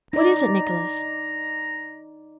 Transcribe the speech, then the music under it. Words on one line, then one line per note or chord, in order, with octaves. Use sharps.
"What is it, Nicholas?"
D#4 D5 A#5